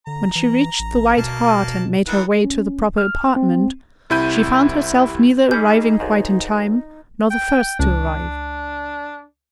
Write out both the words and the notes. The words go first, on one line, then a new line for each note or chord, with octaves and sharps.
When she reached the White Hart, and made her way to the proper apartment, she found herself neither arriving quite in time, nor the first to arrive.
D3 A#5
E3
A1
B2 A#3 A5
D#3 E3 F#5
C#4
F6
C4
C2 C3 E4 B5 G6 D#7
E3 G3 C#4 D#4 G#4 G6
B1 G#2
G5
C#2 D4